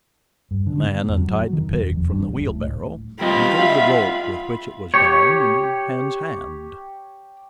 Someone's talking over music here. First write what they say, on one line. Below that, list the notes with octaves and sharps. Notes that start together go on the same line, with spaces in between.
The man untied the pig from the wheelbarrow, and gave the rope with which it was bound into Hans's hand.
G2
D3
B3
F2
F#3
D#3
F#1
E1
F2
G2
D1
A2
G3 C4 F4 D#5 B5
E5 F5
G4 C#5